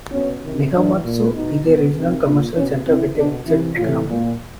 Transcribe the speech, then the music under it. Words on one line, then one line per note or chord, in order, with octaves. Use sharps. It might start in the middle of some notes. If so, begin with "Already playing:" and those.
Nihonmatsu is a regional commercial center with a mixed economy.
B2 C#4
C3 D#3
A2 E3 D4
A#2
B2 D#4
B2
C3 D#3
A#2 D4
B2 C#4
C3 E3 C4
B2 D4
C3 E3 E4
A2 E3 F4
A#2